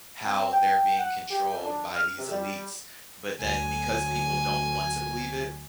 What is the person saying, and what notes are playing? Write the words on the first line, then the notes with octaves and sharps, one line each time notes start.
how they're being controlled by these elites, but then because people don't want to believe it,
C4
G5
F#5
G4
F2
D4
F6
C3
G3
D2 F#3 G#5